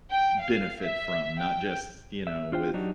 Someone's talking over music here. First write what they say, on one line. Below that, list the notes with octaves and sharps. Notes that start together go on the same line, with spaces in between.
benefit from, not just, you know, with
G5
F5
E5
G5
E5
D4 F4 C5 G5
F#3 D4 D#4 F#4 G4